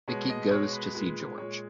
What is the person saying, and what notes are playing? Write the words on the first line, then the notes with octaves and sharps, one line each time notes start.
Vicky goes to see George.
B2 G#3 C#5
D#5
B2 G#3 C#5
B4
A#2 G#3
A#2 G#3 C#5